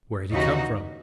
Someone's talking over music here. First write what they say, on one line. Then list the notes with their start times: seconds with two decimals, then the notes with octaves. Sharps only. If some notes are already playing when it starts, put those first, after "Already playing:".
Where had he come from?
0.32 D#2 C#3 E3 D#4 F#4